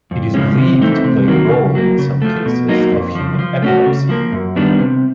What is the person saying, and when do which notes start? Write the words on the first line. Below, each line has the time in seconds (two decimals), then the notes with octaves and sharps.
It is believed to play a role in some cases of human epilepsy.
0.11 F2
0.34 C#3 F3 G#3 C#4
0.58 C3
0.81 E3 A3 C4 D#4
1.04 C3
1.28 D#3 F#3 A#3
1.51 C#3
1.75 F#3 A#3
1.98 C#3
2.22 F3 A3
2.45 B2
2.68 F#3 A#3 D#4
2.92 F2
3.15 C#3 F3
3.39 F3
3.62 A3 C#4 F#4
3.86 C#3
4.09 F3 A#3
4.32 F#2
4.56 D#3 G3 B3 D4
4.79 C3